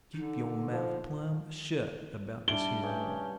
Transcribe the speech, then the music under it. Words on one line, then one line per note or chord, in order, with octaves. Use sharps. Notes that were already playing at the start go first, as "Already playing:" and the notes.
Keep yo' mouth plum' shut about this here war.
D3 D#4
F3
G3 D4 E5 A5 D7 G7
G2 C#4 G5